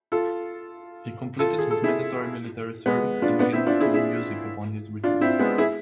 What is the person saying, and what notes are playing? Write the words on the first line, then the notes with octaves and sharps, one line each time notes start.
He completed his mandatory military service and began working on music upon his return.
F4 A4
F4 A4
G#4
A4
E4 G#4
G#3 B3
D4 F4
B3 D4
C4 E4
D4 F4
E4 G#4
E4 G#4
D4 F4
C4 E4
G#3 B3
E4 G#4